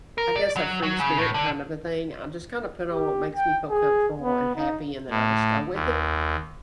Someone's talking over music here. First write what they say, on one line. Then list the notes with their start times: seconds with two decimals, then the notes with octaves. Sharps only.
I guess a free spirit kind of a thing. I just kinda put on what makes me feel comfortable and happy, and then I just go with it.
0.18 A#4
0.36 D5
0.57 F#3
0.83 F#3
1.00 C#3
1.18 A2
1.34 D3
2.92 G4
3.35 G5
3.70 G#4
4.22 B3
4.56 D#4
5.10 A2
5.73 D#2